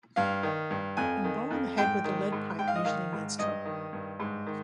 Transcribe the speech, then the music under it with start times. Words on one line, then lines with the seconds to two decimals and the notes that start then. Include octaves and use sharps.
A blow on the head with a lead pipe usually means trouble.
0.16 G2 F5
0.43 D#3
0.71 G2
0.97 F2 G#5
1.24 D#3
1.50 F2
1.78 G#2 G5
2.04 D#3
2.32 G#2
2.59 G#2 G5
2.68 F5
2.76 D#5
2.85 D#3 F5
3.13 G#2
3.39 G2 D#5
3.65 D#3
3.93 G2
4.20 G#2
4.46 D#3